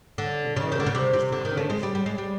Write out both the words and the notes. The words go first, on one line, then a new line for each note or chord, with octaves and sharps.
The moral is the great thing.
D3
C#3
D#3
D3
C#3
C3
C3
D3
D#3
A3
G#3
G3
G3
G#3
G3